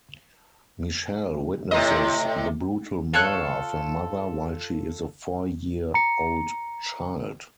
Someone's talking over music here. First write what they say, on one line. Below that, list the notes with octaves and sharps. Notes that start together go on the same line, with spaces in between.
Michelle witnesses the brutal murder of her mother while she is a four-year-old child.
A2 C3 D#5
F4 A4 C#5 F#6
A#5 C#7